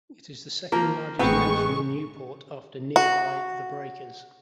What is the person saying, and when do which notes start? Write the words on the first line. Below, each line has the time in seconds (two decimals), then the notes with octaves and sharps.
It is the second largest mansion in Newport after nearby The Breakers.
0.72 F3 A#3 A#4
1.19 A1 G#3 B3 C4 B4 C#6
2.96 F#4